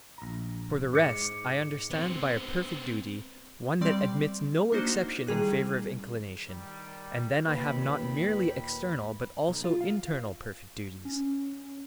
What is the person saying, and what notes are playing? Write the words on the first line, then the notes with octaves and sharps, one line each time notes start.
For the rest, I understand by a perfect duty one that admits no exception in favour of inclination and then I have not merely external but also internal perfect duties.
A#1 A#5
G#2 D6 C#7
B3 C4
G3 C4 D5 C6
A#3 D4 D#4 F#4 C5
A1 D#3 G3 G#4 F#6
D#3 G3
D#2 A#2 B4 G5 B5
B1
F4
F5
C#4